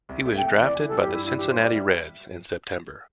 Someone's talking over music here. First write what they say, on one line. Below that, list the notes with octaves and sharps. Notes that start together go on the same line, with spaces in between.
He was drafted by the Cincinnati Reds in September.
C2
A3 E5
G5
C3
E5
E3 D5
E3
A4
G3
G4
G2 E4
D4 E4
E3 G4
C5
G3 D5
G3 E5